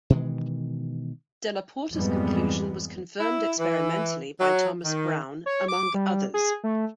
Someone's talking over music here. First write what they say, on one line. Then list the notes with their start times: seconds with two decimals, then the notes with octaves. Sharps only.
Della Porta's conclusion was confirmed experimentally by Thomas Browne, among others.
0.10 B2 D#3 E3 G#3
1.93 F2 G#2 E3 G3 G#3 B3
3.20 E4
3.59 E3
4.39 F#3
4.83 D#3
5.46 C#5
5.68 D6
5.94 G3
6.34 G#4
6.64 A3